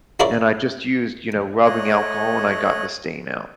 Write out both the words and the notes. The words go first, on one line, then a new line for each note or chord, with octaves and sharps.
and I just used, you know, rubbing alcohol, and I got the stain out.
D4 E4 F4 A#4 C#5 D5
A3 C#5 D#5 F#6